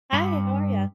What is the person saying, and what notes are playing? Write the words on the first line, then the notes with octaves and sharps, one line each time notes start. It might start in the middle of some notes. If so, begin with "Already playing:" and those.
Hi. How are ya?
G2 B5